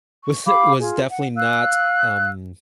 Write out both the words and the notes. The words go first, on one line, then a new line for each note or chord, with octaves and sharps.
was was definitely not, um,
C#6
G4 F5 B5 D6
F4 G#4
F#5
F5 E6 F#6